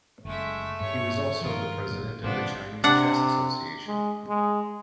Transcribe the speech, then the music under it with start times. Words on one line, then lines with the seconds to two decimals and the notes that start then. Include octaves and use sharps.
He was also the President of the Chinese Chess Association.
0.25 F#1 G#3 A3 E5
0.80 G2 G3 C#5
1.41 G2 D#3 F3 F4 A#4
1.87 G1 A#2 F#3
2.23 A1 G#2 C3 F3 B3 D4
2.84 C3 D4 F#5
3.87 G#3
4.28 G#3